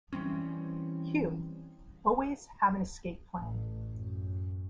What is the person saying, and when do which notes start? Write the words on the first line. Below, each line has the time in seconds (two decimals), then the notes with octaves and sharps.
"Q: "Always have an escape plan.
0.13 E3 G3 C4 C#4
3.36 A1
3.87 F#2